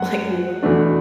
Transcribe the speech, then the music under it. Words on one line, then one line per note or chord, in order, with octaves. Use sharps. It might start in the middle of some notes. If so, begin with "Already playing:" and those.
Like, what?
Already playing: F#2 F#5
E2 B2 A3 D4